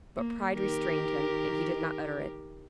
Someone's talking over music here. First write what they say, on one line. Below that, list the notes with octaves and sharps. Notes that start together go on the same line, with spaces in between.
But pride restrained him and he did not utter it.
A#3
D#3 G4 A#4